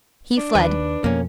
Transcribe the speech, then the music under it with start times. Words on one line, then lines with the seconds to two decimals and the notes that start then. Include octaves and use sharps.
He fled.
0.37 D4
0.55 D#2 B4
1.04 F2 B2 A#3 C#4